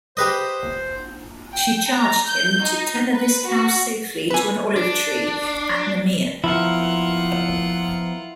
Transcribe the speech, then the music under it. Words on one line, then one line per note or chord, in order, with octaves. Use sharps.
She charged him to "Tether this cow safely to an olive-tree at Nemea".
G4 B4 C5 D#5
G5
A#5
G6
D#4
B4
F#4
B4 G#5
D4
F3 B3 E4 F4 A#4 F#5